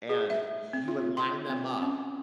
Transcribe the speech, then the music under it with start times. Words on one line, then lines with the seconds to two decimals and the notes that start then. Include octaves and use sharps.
and you would line them up,
0.09 G#4
0.30 E5
0.73 C4
0.88 F4
1.17 C6
1.50 C4
1.82 C#4